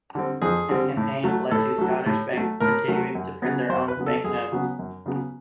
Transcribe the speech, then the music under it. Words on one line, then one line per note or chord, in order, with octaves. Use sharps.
His campaign led to Scottish banks continuing to print their own banknotes.
D3 G3 C4
F2 G#4
D3 G3 C4
A2
F#3 A3
A2 A4
F#3 A3
A2
F#3 A3
A2 A#4
F#3 A3
F#2
C#3 F#3 B3
F#2 C5
B4
C#3 F#3 B3
A4
F#2 G#4
C#3 F#3 B3
F#2
C#3 F#3 B3